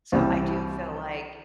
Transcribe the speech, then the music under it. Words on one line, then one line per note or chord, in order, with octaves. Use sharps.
So, I do feel like
C2 C3 E3 G3 C5